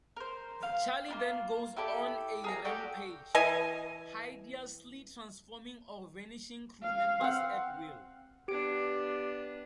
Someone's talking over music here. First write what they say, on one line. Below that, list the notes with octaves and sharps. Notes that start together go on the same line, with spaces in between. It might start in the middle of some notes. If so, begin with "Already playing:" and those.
Charlie then goes on a rampage, hideously transforming or vanishing crew members at will.
A#4 C5
F5
A#3 E4 F4
E4 G4 A4 D5
G#4 A#4 A#5
F#4 G4 A4 D5
E3 D#5 G#5
F5
C4 F#5
B3 D4 G4 D7